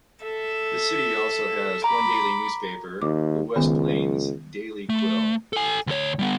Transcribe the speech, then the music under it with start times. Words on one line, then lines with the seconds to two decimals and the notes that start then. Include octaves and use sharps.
The city also has one daily newspaper, the "West Plains Daily Quill".
0.22 A4 E5
1.84 A#5 B5 D6
3.02 D#2 D6
3.56 C#2 D#3 B3
4.89 A3
5.53 A4 G#5
5.87 D2 C#5
6.19 G3 B3